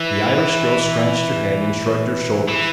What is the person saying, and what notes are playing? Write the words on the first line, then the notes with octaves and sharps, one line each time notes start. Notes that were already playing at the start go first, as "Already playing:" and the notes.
The Irish girl scratched her head and shrugged her shoulders.
Already playing: E3
E3